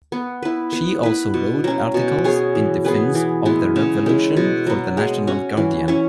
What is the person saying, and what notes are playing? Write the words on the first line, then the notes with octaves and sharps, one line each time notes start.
She also wrote articles in defense of the Revolution for the National Guardian.
B3
E4 B4
B3
E4 B4
B2
F#3 C#4
B2
B3 G#4 C#5
E3
B3 G#4 B4
E3
G#3 B3 E4
C#3
G#3 E4
B2
F#3 B3
G#3
C#4 F#4
E3
C#4 E4